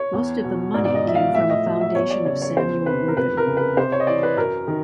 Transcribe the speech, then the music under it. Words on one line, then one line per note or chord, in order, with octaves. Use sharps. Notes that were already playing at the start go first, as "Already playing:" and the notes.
Most of the money came from a foundation of Samuel Rubin.
Already playing: C#5
E2
B2
G#2 D5
D5
D#5
F3 E5
F5
A2 E5
D#5
F#3
E5
E2 C#5
D5
C#3 C#5
C#5
E2 C5
C3 B4
A#4
F2 B4
A#4
C#3
B4
C3 C5
C#5
D#5
E3 D5
B4
F#2 A#4
D#3